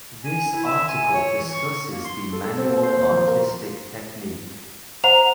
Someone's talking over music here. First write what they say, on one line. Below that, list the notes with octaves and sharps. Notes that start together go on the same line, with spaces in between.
This article discusses the manual artistic technique.
G#5
E4
E5
G#5
C#5
E3
C#6
A#3
C6
A4
A4
C4
A#2
C5
D#2
F3
A#4
C5 F#5 A#5 F7